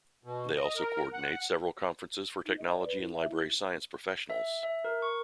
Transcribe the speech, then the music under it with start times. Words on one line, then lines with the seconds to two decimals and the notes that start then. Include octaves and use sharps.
They also coordinate several conferences for technology and library science professionals.
0.24 B2
0.57 D#5
0.75 A#4
1.13 F#5
2.45 D#4
2.58 D#5
2.73 D5
2.85 B4
3.01 E4
3.13 E5
3.29 E4
4.30 E5
4.63 E5
4.84 A#4
5.02 C#6